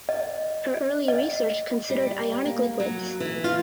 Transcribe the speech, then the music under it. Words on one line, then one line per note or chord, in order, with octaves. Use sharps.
Her early research considered ionic liquids.
D#5
D#5
G3
A#3
F#3
E3
F4